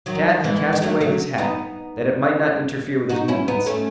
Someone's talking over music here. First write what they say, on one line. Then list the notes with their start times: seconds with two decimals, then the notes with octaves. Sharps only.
Tad had cast away his hat, that it might not interfere with his movements.
0.06 D#3 F#3
0.44 E3 G#3
0.73 G#3
0.82 F#3 A3
1.01 F#3 A3
1.38 B3 D#4
3.09 D#4 F#4
3.28 C#4 E4
3.48 B3 D#4
3.66 A3 C#4